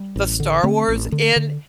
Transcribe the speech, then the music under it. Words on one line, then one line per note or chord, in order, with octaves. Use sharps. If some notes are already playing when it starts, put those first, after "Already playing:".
the Star Wars, and,
Already playing: G3
A1
D3
D3 A3 C4
A1
D3
D3